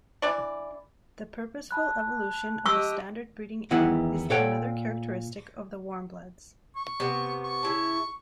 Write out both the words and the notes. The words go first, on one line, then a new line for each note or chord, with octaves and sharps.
The purposeful evolution of the standard breeding aim is another characteristic of the warmbloods.
E3 D4 D5
A5 B5 F#6
G4 D#5 C#6 E6
E2 D#3 E3 B3 E4 F#5
A#2 A4 C#5 F#5 G5
C#6
C3 B3
C#6
C#3 E4 A5